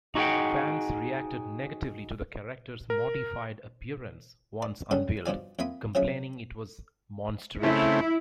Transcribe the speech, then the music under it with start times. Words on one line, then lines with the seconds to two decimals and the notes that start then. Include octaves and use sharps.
Fans reacted negatively to the character's modified appearance once unveiled, complaining it was "monster-ish".
0.15 D#4 F#4 G#4 D#5 F#5 G5
2.90 A#4
4.62 D5
4.91 C#2 G3 C#4 F#4 A4 D#6
5.26 G2 B2 F3 D5 G#5
5.59 F2 A#3 E5 B5 D#6
5.95 F3 F#3 C#4 G#4 E5
7.63 C#3 A3 C4 E4